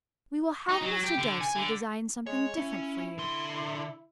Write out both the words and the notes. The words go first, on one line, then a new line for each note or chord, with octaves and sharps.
"We will have Mr. Darcy design something different for you."
D#4
F#3
G4
D3
G#5
D3
G#3 C#5
C#4 E4
D3 C6